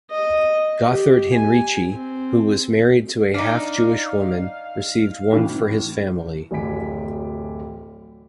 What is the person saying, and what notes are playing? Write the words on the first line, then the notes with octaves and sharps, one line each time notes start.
Gotthard Heinrici, who was married to a half-Jewish woman, received one for his family.
D#5
G4
G#5
C4
D4 D#4 F5
A2 E3
D1 A1 F#2 G#5 B6 D7